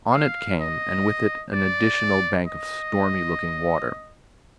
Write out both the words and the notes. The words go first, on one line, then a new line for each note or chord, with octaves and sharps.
On it came, and with it an additional bank of stormy-looking water.
F5
D#5
D5
D#5